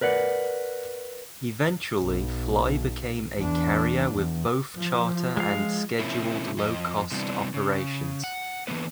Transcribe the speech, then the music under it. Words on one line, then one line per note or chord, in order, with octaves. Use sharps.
Eventually Fly became a carrier with both charter and scheduled low-cost operations.
A#4 B4 D5 F#5
B1
E2 D4
E2
F3
G#3 F5
C3 F3 A#3 C#4 E4
F2 D#5
C3 E3 G3 B3 D4
C#3
F#5
D3 E3 F3 A#3 B3 B4